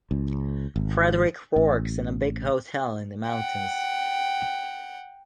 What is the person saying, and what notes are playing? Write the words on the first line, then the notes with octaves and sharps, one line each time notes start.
Frédéric works in a big hotel in the mountains.
C#2
G#1
A1
F#5 G5